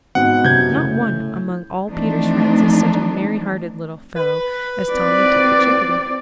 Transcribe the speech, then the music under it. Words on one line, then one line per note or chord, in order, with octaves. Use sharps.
Not one among all Peter's friends is such a merry-hearted little fellow as Tommy Tit the Chickadee.
G#2 B2 C4 F#5
F#2 C3 G6 G#6
A2 C#3
E3 F3 A3 C4 D4 D#4
B4
C4 D5